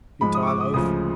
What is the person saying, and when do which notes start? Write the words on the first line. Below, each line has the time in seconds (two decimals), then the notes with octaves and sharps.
Futile oath!
0.21 G#2 F3 G#3 B5
0.35 D#6
0.43 C#6
0.47 D6
0.60 D#6
0.74 D2 C#3 F3 G#3 D#6